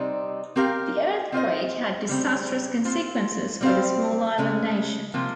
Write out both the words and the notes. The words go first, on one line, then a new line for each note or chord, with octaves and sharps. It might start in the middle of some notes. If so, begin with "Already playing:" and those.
The earthquake had disastrous consequences for the small island nation.
Already playing: C3 G3 C4 D#4
C4 G4 A#4 F5
C4 F4 C5 D#5
C#3 G3 C4
C4 F4 C5
G3 C4 G4 C5 F5
C#3 G#3 C#4
C3 F3 A#3 F4